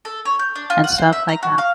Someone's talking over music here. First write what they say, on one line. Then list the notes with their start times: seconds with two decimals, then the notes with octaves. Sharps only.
and stuff like that.
0.05 A4
0.25 C#5
0.39 G6
0.56 D4
0.70 F4
0.84 F#5
0.98 C5
1.13 E5
1.29 A#5
1.43 F#4
1.58 F5